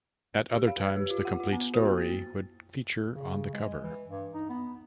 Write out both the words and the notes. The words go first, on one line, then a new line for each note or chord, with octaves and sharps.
At other times the complete story would feature on the cover.
G4
F5
B4
G4
F4
F#5
F4
B3
F#4
A#3
A6
C#3
G#3
E3
G2
D#4
B3